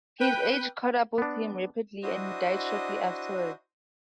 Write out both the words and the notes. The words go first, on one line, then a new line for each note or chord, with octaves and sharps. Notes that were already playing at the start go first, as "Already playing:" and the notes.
His age caught up with him rapidly and he died shortly afterwards.
B4 G5
B3 D4
D4 E4 F#4 C5 D#5 D#6